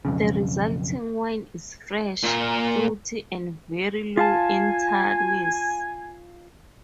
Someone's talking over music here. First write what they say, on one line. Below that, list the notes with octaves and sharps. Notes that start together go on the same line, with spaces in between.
The resulting wine is fresh, fruity, and very low in tannins.
B1 F2 C#3
A#2 A#4
F4 F5 G#5 A5